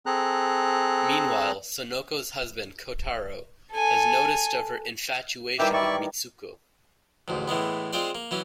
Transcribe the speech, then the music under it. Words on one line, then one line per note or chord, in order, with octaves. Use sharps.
Meanwhile, Sonoko's husband Kotaro has taken notice of her infatuation with Mitsuko.
C4 G#4 A4 A#5 F#6
A4 G#5
D#3 E3 G3 E5 G5 D6
E4 D5 C#6
A1 D2 G#2
A2 E3 G#3 B3
G#3 C4 F4 C5 D5
A#3
E3 F#3 C#4